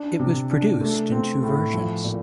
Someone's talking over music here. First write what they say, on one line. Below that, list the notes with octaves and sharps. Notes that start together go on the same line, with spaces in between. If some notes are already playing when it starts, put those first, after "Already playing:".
It was produced in two versions.
Already playing: D4
C3
D4
A3
C4
A2
F3
A#2